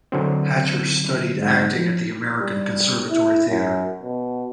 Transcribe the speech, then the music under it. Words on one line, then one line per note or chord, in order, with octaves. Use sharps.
Hatcher studied acting at the American Conservatory Theater.
D3 F#3 C4
G#2
F3
G3
E4
F#2
B2